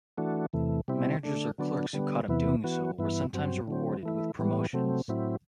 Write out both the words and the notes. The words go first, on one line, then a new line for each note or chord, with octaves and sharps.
Managers or clerks who caught him doing so were sometimes rewarded with promotions.
E3 A3 D4 F#4
E2 C3 E3 A3
C3 G3 C4 E4
D3 A3 D4
D3 F#3 B3 D4
D3 G3 B3
E2 C3 E3 B3 E4
E3 B3 F#4
G2 E3 B3 E4
G2 F#3 C4
D3 F#3 C4
E3 A3 E4
A2 E3 G3 B3
C3 F#3 A3 C4
A2 F#3 C4 E4